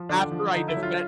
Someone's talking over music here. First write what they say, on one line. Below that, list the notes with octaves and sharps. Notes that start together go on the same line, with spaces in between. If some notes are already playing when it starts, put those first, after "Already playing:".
after I defend
Already playing: F3
D3 D4
F3
D3 D#4
E4
F#3
F4